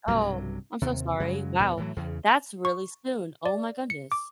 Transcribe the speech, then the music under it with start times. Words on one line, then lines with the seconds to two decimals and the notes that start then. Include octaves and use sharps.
Oh, I'm so sorry. Wow, that's really soon, oh my goodness.
0.08 B1 G2 C3 F#3
0.82 D#2 C3
1.20 F#2 C#3 F#3 G#3
1.60 E2 G2 B2
1.77 A2 E3 F#3
1.96 E2 C#3
2.65 C#6
3.46 D5
3.90 C#7
4.12 D6